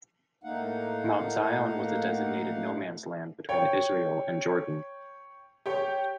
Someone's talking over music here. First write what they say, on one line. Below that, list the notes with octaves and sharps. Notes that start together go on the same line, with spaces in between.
Mount Zion was a designated no-man's land between Israel and Jordan.
A2 A3 A#3 D#4 F5 F#5
C#5 G5
G4 C#5